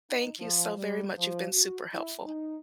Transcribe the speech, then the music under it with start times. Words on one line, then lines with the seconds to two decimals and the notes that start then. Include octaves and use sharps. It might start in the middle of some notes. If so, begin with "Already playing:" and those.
thank you so very much, you've been super helpful.
0.11 D#4
0.41 F3
0.77 G3
1.18 F3
1.51 F#4
1.94 E4
2.25 D#4